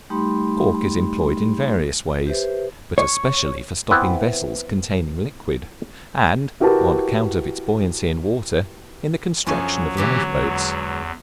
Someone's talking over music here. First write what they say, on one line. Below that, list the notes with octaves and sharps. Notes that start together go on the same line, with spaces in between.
Cork is employed in various ways, but especially for stopping vessels containing liquids, and, on account of its buoyancy in water, in the construction of life boats.
G3 A3 D#4 G4 B5 C6
G4 B4 C5 E5
C#5
E3 B3 C4 E4 B4
E4 F#4 G4 A#4 B4 A5
F#2 F3 F#3 D4 A4 G#5 C#6
D3 E3 G#3 B3 G4
E2